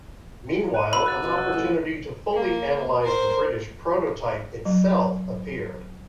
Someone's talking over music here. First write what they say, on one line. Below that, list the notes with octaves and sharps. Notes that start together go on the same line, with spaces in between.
Meanwhile, an opportunity to fully analyze the British prototype itself appeared.
F#6 D#7
F#4 D5 B5 E6
C#5 F#6 A6
B2 B3 C#4
E6
E3 A3
A#3
A#4 C5
F#3